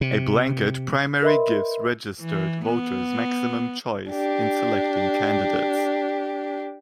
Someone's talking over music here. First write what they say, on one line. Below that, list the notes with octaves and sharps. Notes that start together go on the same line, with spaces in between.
A blanket primary gives registered voters maximum choice in selecting candidates.
C3
A#4 B4 D#5 E5 B5 C6
E3
B3
D4 G4